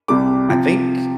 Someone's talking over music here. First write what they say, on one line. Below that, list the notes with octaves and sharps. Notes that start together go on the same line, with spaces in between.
I think
C2 C3 G3 D6
C3 F3